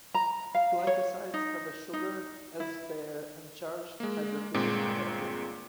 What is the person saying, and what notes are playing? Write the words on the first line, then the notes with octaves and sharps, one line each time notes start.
Glycosides have a sugar as their uncharged hydrophilic headgroup.
A#5
F5
C#5
D#4
D#4
E4
G#3 A#3
G1 A#2 G#3 C4